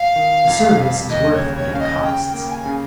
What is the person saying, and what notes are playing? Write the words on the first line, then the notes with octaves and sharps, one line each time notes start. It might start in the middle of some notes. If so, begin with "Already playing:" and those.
A service is worth what it costs.
Already playing: F5
D#3
F2
G3
D#2 D#5
C#5
C#3
C#5
C#4 F5
D#5
C#3 G5
G5
A#3
G#5
C#3